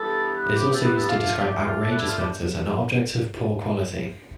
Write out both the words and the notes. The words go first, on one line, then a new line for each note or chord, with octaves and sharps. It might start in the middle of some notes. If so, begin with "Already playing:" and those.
It is also used to describe outrageous matters and objects of poor quality.
Already playing: G2 E3 G3 B3 A4
B4
G4
A4
B4
A4
D3 A3 D4 F4
G4
F4
A4
B4
E4
F4
G4